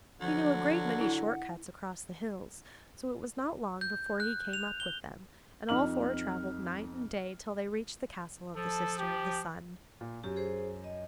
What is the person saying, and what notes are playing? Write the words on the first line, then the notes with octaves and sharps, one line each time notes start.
He knew a great many short cuts across the hills, so it was not long before he came up with them, and all four travelled night and day till they reached the castle of the Sister of the Sun.
D3 F3 F#3
E4 F#5
G6
F#6
F7
G7
F2 D#4 F6 F#7
F3 A4
G4
A#2
F#2 G4
G#4 C5
D#5